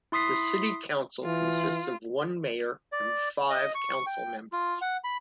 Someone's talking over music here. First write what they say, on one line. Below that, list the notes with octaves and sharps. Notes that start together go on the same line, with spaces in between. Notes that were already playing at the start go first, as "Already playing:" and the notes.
The City Council consists of one Mayor and five Council Members.
E4 C6 D#6 B6 C7
E3 F4
D5
D#5
C#6
G5
F4
F#5
B5